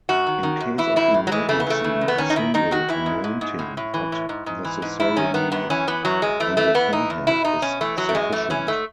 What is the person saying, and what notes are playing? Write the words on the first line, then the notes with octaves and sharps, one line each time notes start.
In case of emergency, a single anointing, not necessarily on the forehead, is sufficient.
F#2 F#4
D#3
D#3
F#2
E3 E4
A2 E4
A2
F#3
E3 G#3
C#3 A3
B3
E3 A3
C#3
E2
B3
D#3 C#4
D#4
D#3 E4
D#3 D#4
D#3 F#4
E3 E4
G#2
G#2
G#2
A2
A2
E3
A2
G#2
G#2
E3
G#2
F#2 E4
D#3 C#4
D#3 B3
F#2 B3
E3 C#4
E3 B3
F#2 F#3
F#2 G#3
E3 A3
E3 A3
E3 B3
E3 D#4
E2
B2 E4
B2 D#4
B2 C#4
E3 A3
F#2 F#3
A3
F#2 G#3
E3 A3
E3 C#4
G#2 A3